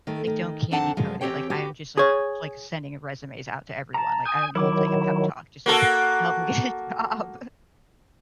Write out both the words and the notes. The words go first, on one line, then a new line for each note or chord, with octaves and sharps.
like don't candy coat it, like I am just like like sending resumes out to everyone. Like I don't need like a pep talk. Just like help me get a job.
D#3 A3
D#3
F2 D#3 C4 D4 F#5 A5
F#2 F3 G#3
E2 F3 C4 G4 C#5 G5
F#4 G4 B4
G#4 C#5
A5 A#5
G#5 D#6 G6
D#3 F#3 E4 D6
A#3 F#4 A4